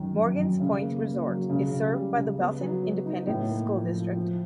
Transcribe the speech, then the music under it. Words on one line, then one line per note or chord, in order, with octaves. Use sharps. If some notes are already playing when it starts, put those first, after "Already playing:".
Morgan's Point Resort is served by the Belton Independent School District.
Already playing: F#2 D#3
F#2
F#2
C#3
A#3
A#3
F#3
C#3
C#3
G3
C#3
B3
F#3
F#3
D#4
A2
A#3
F3
F3
F3